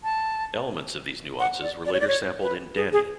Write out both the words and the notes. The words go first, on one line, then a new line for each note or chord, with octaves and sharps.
Elements of these nuances were later sampled in Danny!
A5
F#5
D5
D5
C#5
D5
C#5
B4
G#4
G#4